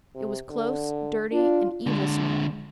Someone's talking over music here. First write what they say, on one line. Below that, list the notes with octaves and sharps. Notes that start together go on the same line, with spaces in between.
It was close, dirty, and evil smelling.
C3
D3
D4 F4
D3 G#3